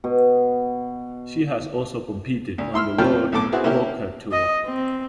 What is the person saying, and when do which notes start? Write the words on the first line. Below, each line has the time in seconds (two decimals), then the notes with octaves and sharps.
She has also competed on the World Poker Tour.
0.04 B2
2.58 D2
2.74 E4 C6 E6 F6
2.98 F2 A3 C#4 F4 G5 F6
3.32 B1 A2 A4 D6
3.52 B3 C4 E4 F#4 G#4
3.64 A#3 C#4 E4 G4
4.32 D#5
4.65 C4